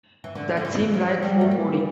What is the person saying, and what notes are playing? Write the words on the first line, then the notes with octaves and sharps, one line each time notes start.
That seemed like foreboding.
E3
D3
D3
E3
F3
G3
A3
A#3